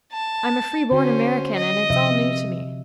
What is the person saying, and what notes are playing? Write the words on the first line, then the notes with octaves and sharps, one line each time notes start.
I'm a free-born American, and it's all new to me.
A5
D3 C#4 F#4 C5
D#5
C3 F3 E5